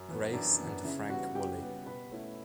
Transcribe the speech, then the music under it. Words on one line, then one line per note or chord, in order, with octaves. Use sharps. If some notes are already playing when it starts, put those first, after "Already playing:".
Grace and Frank Woolley.
Already playing: F#2
E3 B3
F#2 D4 D5
E3 B3
C#3 E4 E5
G3 B3 F#4 F#5
C#3 G4 G5
G3 B3
B2 B4 B5
A3 C#4 E4